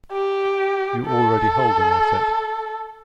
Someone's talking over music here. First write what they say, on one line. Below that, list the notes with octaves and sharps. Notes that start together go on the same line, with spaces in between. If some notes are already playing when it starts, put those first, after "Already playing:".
You already hold an asset.
G4
A4